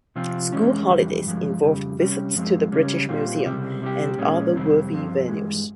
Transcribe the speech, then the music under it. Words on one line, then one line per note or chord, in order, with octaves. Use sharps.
School holidays involved visits to the British Museum and other worthy venues.
C3 F3 C4 F4
E2 E3 G#3 C#4
F2 E3 G3
G2 F3 G#3
F2 C#3 G3
C3 G3 C#4
G2 F3 G#3 C4
C#2 C#3 G3 C#4
A#2 G3 C4 F4
C#2 C3 G3 C4
C3 G3 C4 G4
A#2 G#3 C#4
F2 C3 G3 C4
G2 F3 C4
G2 E3 G#3